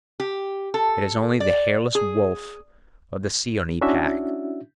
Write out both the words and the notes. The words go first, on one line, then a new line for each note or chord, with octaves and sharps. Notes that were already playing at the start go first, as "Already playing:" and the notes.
It is only the hairless wolf of the Seeonee Pack.
G4
A4
D5
G#4
C#4 D4 E4 F#4 E5